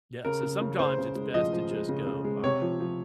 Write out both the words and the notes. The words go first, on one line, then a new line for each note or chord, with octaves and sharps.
yeah, so sometimes it's best to just go, "Alright."
C#3 A#4
C#3
C#3
C#3 C5
C#3
G#3
F3 D#5
F3
G#3
C#3
C#3
G#3
C3 C#5
F3
F3